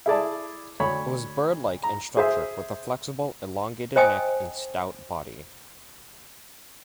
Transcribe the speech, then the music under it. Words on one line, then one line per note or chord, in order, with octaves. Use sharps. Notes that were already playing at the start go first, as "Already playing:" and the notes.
It was bird-like in structure, with a flexible, elongated neck and stout body.
E4 G#4 D5 A5
D2 C#5 B5
A#5
G#4 C5 E5
C5 D#5 G5 G#5 D#6